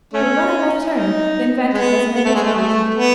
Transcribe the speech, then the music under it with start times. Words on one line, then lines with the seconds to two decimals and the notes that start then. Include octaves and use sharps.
'But when I left home the inventor was in a difficulty.
0.13 A3 C#4
0.94 D#4
1.74 G#3 B3
2.15 B3
2.25 A3
2.34 G#3
2.44 A3
2.54 A3
2.94 B3